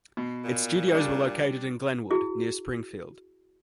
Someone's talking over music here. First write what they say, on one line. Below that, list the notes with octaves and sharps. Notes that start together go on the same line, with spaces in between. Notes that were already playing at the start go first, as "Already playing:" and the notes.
Its studios were located in Glenwood, near Springfield.
B2
A#2
G3 D4
E4 F#4 G#4